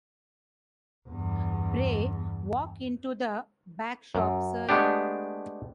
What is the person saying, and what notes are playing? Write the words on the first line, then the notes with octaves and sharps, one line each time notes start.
Pray walk into the back shop, sir.
E2 G2
F#2
G#3 A3 B3 D4 G4